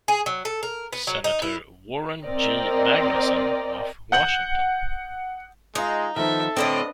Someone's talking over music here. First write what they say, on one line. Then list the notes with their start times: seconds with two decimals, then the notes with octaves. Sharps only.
Senator Warren G. Magnuson of Washington.
0.08 G#4
0.26 F#3
0.45 A4
0.63 A#4
0.93 B3
1.07 F#3
1.24 D#4
1.42 E4
2.25 C4 A#4 D5 D#5 G5
4.12 F#5 G6 F#7
5.75 G#3 D#4 F4 D#5
6.16 D#3 F3 B3 A4 E5
6.57 A2 D3 C4 D4 B4 D#5